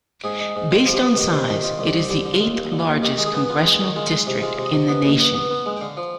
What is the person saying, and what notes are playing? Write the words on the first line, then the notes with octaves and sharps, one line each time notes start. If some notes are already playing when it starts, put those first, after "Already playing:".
Based on size, it is the eighth largest congressional district in the nation.
G#2 G#4
D#4
G#2
G#2 F4
F3
G4
B3
D#3 G4
C3
D#3
D#3 F4
C2
G4
C2
D3 G4
D3
F4
D#2
D#2
D3
F4
D#2
D#3 G4
G#3
G#4
B3
B3 F4
G#3
D#3
G#3 F4
G#3
C3
G#3 F4
C3
D#5
C3
B3
D#2
B3
B3
B3
G#3
G5
D3 F5
F3